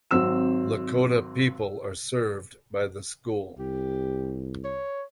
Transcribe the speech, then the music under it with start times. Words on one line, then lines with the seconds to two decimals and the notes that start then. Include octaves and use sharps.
Lakota people are served by the school.
0.11 G#1 F#3 C4 E6 E7
3.59 C2 G4
4.64 C#5